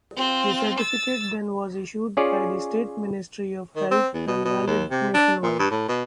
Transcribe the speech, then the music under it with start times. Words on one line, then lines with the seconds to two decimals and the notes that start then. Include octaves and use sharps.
The certificate then was issued by the state Ministry of Health and valid nationwide.
0.17 C4 F4
0.79 E6 A6
2.17 C#4 F4 G#4 C#5 D5
3.76 D#3
3.91 C4
4.14 E2
4.27 B2
4.45 B2
4.67 D#2
4.91 C3
5.14 D4
5.43 A#2
5.59 G2
5.71 A2
5.88 B2